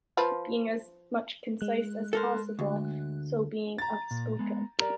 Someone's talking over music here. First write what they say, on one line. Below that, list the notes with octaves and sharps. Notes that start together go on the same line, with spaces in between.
Being as much concise as possible, so being outspoken.
F3 F4 B4
G#3 F#6
A4 A#4 C5
D2
A#5 A6
A#2
G#3 B3
G4 A#4 D5